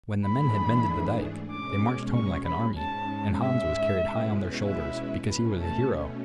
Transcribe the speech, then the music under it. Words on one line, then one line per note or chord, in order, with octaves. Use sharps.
When the men had mended the dike, they marched home like an army, and Hans was carried high on their shoulders, because he was a hero.
G#2 E3 A3 D4 G#4 B5
B2 G#3 C#4 D6
C#6
B5
G#2 G#3 C#4 A5
E5
B2 G#3 C#4 E4 B4
E5
B2 A3 C#4 B4
A5